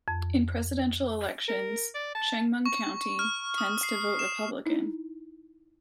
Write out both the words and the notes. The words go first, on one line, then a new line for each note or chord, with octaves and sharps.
In presidential elections Chemung County tends to vote Republican.
F2
A#4
D5
A5
C#6
F6
D#6
C7
E7
D#4 E4